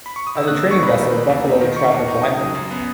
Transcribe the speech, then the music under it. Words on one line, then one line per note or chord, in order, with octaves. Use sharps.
As a training vessel, "Buffalo" traveled widely.
B5
C#6
D#6
D#3 E6
A#3 F#6
E6
E2 C#6
D#4 B5
D#3
A#3
E2
D#4
D#3
A#3 C#6
E2
D#4
C#3 D#6
F#3
F#2
B3